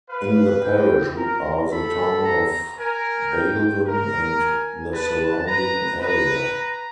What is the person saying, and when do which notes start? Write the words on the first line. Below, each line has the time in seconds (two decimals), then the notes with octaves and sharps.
In the parish are the town of Baildon and the surrounding area.
0.09 B4 F5
0.63 G5
1.16 A#4 A#5
1.70 A4 B5
2.24 A#5
2.78 A#4 G#5
3.32 G5
3.86 A#4
4.39 G#5
4.93 B4 A5
5.46 B4 A#5
6.00 B4 A#5
6.54 A#5